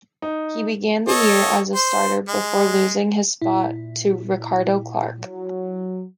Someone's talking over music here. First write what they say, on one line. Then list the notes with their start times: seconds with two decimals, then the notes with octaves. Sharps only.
He began the year as a starter before losing his spot to Ricardo Clark.
0.22 D#4
1.08 A4 C#5 D#5
1.75 C5
2.28 G#3
3.42 A#2 E4
5.19 F#3